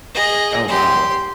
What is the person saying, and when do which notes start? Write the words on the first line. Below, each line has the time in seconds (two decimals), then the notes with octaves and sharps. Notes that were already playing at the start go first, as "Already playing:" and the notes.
Oh, wow.
0.14 G#4 D#5
0.68 G4 C6